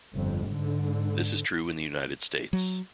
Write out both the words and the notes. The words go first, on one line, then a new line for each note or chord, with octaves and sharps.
This is true in the United States.
G1 F2
G#2 D3
F#3